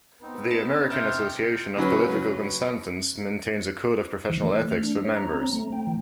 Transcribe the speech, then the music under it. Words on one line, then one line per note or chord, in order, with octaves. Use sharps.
The American Association of Political Consultants maintains a Code of Professional Ethics for members.
B3 C4 D#4
A5
C3 G5 A5 F6 G6
C#3 F#3 C#4 B4
E3
A3
F6
D4
C#5
A#5
C4
A3
G5
E3